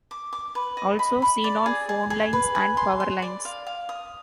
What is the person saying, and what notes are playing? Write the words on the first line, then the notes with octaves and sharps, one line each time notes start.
Also seen on phone lines and power lines.
D6
D6
B4
D#5
B5
B5
D5
G#4
G#4
G#4
B4
G#4
C6
C6
D5
F5
F5
D#6